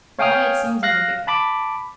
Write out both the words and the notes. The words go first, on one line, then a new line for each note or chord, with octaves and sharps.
Why it seems a week ago.
C#5 F5 G5 G#5 D#6 F6
F5 F#6 A#6
A5 B5 D6